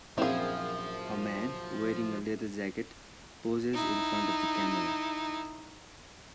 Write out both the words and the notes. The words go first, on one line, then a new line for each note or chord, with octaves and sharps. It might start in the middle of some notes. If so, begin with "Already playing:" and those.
A man wearing a leather jacket poses in front of the camera.
A#1 F#2 F3 C4 E4 G#4 F5
D#4 E4